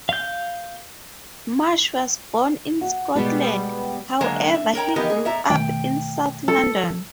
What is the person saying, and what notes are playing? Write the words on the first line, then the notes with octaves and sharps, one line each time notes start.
Marsh was born in Scotland, however he grew up in South London.
F5 G6
F#4
B2 G3 G#3 B3
D3 F#3 G#3 A#3
E5
A#4 C#5 G5 A#5
E3 F3 B3 D#4 G4 A#4
G#4
A2 E5 A#5
B2 D#3 A3 G5
A4